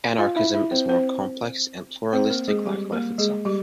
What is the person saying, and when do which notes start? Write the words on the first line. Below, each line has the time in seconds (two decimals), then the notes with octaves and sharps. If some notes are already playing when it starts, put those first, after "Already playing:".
Anarchism is more complex and pluralistic, like life itself.
0.18 F4 F5
0.36 E4 E5
0.53 E4 E5
0.71 C4 C5
0.89 C4 C5
2.13 C4 C5
2.30 A#3 A#4
2.48 G#3 G#4
2.66 G3 G4
2.92 A#3 A#4
3.18 G#3 G#4
3.45 G3 G4